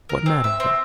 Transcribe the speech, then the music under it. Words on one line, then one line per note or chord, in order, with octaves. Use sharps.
What mattered that?
A#4
C4
E5
C4